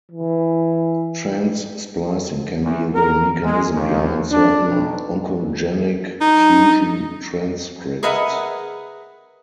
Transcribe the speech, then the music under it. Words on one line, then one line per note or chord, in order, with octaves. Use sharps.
Trans-splicing can be the mechanism behind certain oncogenic fusion transcripts.
E3
E2
A#4
G#3
D#2
D4
B1
D#4
G#4 A#4 B4 D#5 E5 F#5